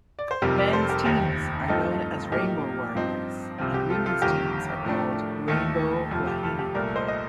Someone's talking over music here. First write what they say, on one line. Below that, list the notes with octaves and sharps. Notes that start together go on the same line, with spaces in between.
Men's teams are known as Rainbow Warriors, and women's teams are called Rainbow Wahine.
D5
C5
F1 F2 C3 G3 C4 G4 A#4
A#4 D5
A4 C5
G4 A#4
F1 D#2 D#3 G4
G2 F3 A3 C4 D#4 F4 A4
A2 F3 A#3 D#4 G4
G2 F3 C4 D#4
C2 C3 F3 C4 F4
G4
F4 A4
F4 A4
G1 F2 D#3 A#3 G4 A#4
A2 F3 A3 D4
D#2 D#3 A3 F4 A4
F2 C3 F3 A3 F4
G4
F4 A4
G4
C2 A#2 A3 A#4 D5
C5 D#5
D#5